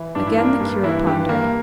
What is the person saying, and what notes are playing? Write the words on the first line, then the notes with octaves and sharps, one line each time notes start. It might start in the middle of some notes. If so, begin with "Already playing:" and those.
Again the curate pondered.
Already playing: E3
G2 D4
E4
A#3 D4
G2
E3 E4
G2 G4
A#3